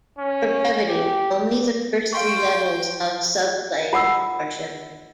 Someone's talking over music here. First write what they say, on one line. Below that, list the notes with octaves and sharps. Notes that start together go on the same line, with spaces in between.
For brevity, only the first three levels of subclades are shown.
C#4
G4
F5 G5 C6 C#6
F4 F#5 D6 E6